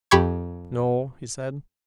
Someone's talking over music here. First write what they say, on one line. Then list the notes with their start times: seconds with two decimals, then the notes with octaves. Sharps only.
"No," he said.
0.11 F2 G4 B5 C#6 G#6